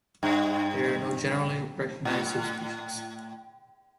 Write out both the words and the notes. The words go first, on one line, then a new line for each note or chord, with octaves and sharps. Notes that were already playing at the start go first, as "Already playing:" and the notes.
There are no generally recognised subspecies.
G2
A2